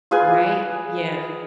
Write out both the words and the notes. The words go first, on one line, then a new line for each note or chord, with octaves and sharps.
Right? Yeah.
F4 G#4 B4 G#5